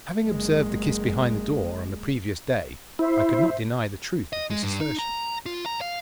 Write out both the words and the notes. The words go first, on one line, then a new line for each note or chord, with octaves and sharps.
Having observed the kiss behind the door on the previous day, I could not deny the truth of this assertion.
F#1 G#3
E4 C5 E5
D#5
G#3
G2
D#4
A#5
F4
A#5
F5